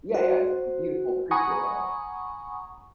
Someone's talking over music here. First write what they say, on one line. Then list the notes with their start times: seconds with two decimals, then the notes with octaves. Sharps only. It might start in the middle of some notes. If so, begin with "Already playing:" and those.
Yeah, yeah, it's a beautiful creature, though.
0.14 F#4 C5
1.31 F#5 G#5 A#5 B5 C#6 D#6